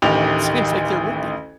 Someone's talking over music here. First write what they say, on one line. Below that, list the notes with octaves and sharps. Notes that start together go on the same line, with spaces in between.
It seems like there would be.
A1 D2 D#3 G4 F7